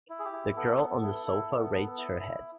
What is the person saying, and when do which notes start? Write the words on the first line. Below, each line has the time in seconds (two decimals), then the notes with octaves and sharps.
The girl on the sofa raised her head.
0.10 E4
0.19 G#4
0.25 G4
0.33 E4
0.56 B3 A4
0.79 B3
1.03 E4
1.26 E4
1.50 B3
1.74 B3
1.98 E4
2.20 E4